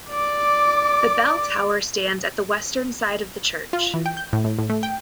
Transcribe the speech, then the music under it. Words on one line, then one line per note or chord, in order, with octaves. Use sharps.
The bell tower stands at the western side of the church.
D5 D6
F4
E3
G5
G6
A2
A2
A2
A3
G5